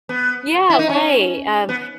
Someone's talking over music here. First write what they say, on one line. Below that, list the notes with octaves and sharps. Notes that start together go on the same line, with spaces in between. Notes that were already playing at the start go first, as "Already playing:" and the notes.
yeah, right, um,
B3
E4
D#4
C#4
B3